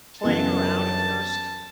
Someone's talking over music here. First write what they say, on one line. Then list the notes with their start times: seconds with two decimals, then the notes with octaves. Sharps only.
playing around at first.
0.24 G1 F#2 C#3 E3 B3 A5